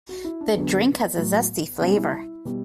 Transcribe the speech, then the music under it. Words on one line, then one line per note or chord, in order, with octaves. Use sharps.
The drink has a zesty flavour.
F#4
E4
D4
E2 D3 F#3 B3
A2 F#3
B2 G3 C#4
E4
B2 G3